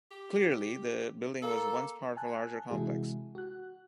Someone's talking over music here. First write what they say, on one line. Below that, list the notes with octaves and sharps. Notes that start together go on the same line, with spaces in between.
Clearly, the building was once part of a larger complex.
G4
A#3 A4
G#5 A5 F#6
C3 E3 G#3 E4 F#4 G#4
F#4 F#6